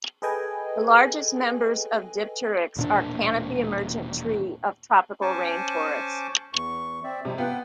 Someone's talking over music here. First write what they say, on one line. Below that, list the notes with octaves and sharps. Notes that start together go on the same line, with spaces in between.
The largest members of "Dipteryx" are canopy-emergent tree of tropical rainforests.
G#4 A4 B4 D#5 G5 G#5
E1 A#2 D4
C#4 C5 G#5 A5 C#6 D6
E2 C#6
C4 D5 E5
C3 F3 G3 G#3
B3 F4 F#5 G5